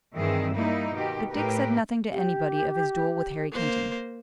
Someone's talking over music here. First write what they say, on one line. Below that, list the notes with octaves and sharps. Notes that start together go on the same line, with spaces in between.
But Dick said nothing to anybody of his duel with Harry Kenton.
G2 D#3 E3 C4 G#4 E5
G3 A#3 D#4 E4
B2 D#3 G4
A2 G4 A#4 B4
G4
A#3 C5